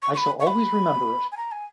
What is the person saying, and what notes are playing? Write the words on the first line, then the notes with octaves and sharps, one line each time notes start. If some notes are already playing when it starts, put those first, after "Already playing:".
I shall always remember it.
C#6
C#6
B5
C#6
B5
G#5
A#5
G#5